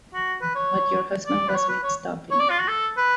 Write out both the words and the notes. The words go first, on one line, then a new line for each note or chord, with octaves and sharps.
What your husband was mixed up in.
F#4
B4
C#5
D5
B4
C#5
B4
C#5
C#5
D5
F4
F#4
A4
B4